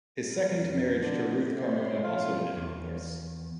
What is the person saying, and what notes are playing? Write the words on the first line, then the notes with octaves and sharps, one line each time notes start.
His second marriage to Ruth Carmona also ended in divorce.
A#4 B5
F2 A#4
D3 A3 D#4 G4
C3 C#5 B5 C6
B2 F3 C#4 F4
E2